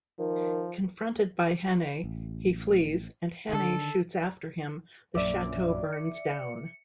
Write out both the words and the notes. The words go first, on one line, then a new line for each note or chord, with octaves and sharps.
Confronted by Hannay, he flees, and Hannay shoots after him; the chateau burns down.
D#3 F3
A1
D3 D#3 A4
A#1 F#2 D5 E5 D6
C#7